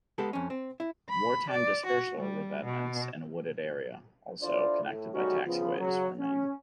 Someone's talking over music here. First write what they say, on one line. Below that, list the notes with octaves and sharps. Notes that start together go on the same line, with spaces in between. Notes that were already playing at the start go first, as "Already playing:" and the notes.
Wartime dispersal revetments in a wooded area, also connected by taxiways, remain.
G#3 B3 G4 A4
F2 C#4
C4
E4
B5
D5
F#4
G3
B2
D4 E4 F4 A4 C5 D5
A2
C#3 G3 A3 C#4 D#4 F#4
C#3 F3 B3 F4
C#3 F#3
C#4